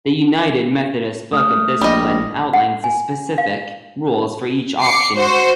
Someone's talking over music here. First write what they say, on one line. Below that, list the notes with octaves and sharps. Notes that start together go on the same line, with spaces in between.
The United Methodist Book of Discipline outlines the specific rules for each option.
A3 D#6 F6
A#1 G3 D#5
F#5
G#5
F5
D6 C7 C#7
F#4 C5